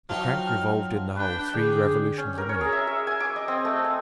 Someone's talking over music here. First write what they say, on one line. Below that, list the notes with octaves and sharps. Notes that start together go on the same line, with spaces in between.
The crank revolved in the hole three revolutions a minute.
F3 F#3 D#4 G5 F6
D4 B4 G5
D3 D4 G4 G#4
C#4
A#4
C#5
G#4
E5
E5
G#5
D6
D#5
C4
A3
G#5